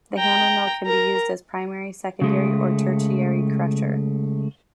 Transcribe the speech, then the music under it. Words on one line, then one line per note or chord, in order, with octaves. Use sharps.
The hammermill can be used as a primary, secondary, or tertiary crusher.
G5 A#5
A#4 A#5
C#3 G#3 A3